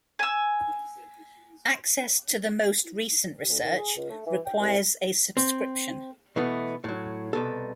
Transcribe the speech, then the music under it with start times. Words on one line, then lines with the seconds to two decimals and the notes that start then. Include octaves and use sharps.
Access to the most recent research requires a subscription.
0.19 G#5 E6
3.49 D2
3.63 D#3
3.78 G#4
3.97 C#2
4.10 A3
4.26 E3
4.46 G5
4.60 C2
5.37 C4
6.36 B2 E3 A3 B3
6.84 A2 F#3
7.33 C2 B2 A4